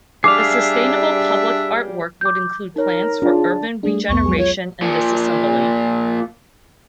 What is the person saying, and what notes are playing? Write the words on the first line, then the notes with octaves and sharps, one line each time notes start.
A sustainable public art work would include plans for urban regeneration and disassembly.
G3 D4 G#4 E5 F5 D6
D6 G6
D#4 A#4 C#5
D4 F4 G#4
G3 A3 D4 G#4
C2 F2 B3 C#6
F#3 G#3 G#4
F4 C#5
A#2 F3